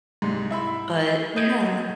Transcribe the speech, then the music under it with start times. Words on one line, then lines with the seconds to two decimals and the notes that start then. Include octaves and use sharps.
but yeah.
0.22 C2 G#2
0.50 E4 E5 B5
1.36 D#5 G6 G#6